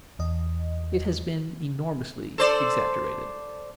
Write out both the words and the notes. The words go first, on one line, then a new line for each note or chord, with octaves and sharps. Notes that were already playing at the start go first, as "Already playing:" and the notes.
It has been enormously exaggerated.
E2 D#5
A4 C5 D5